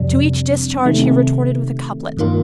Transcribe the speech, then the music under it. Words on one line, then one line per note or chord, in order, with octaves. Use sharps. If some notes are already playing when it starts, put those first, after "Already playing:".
To each discharge he retorted with a couplet.
Already playing: F2 C3 G3 D4
C3 D#3 A3
G2 D#3 A#3 F4